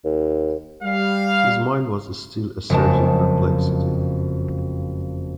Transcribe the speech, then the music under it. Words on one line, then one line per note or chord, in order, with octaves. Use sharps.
His mind was still a surging perplexity.
D#2
G3 F5
F#1 F2 G#3 A5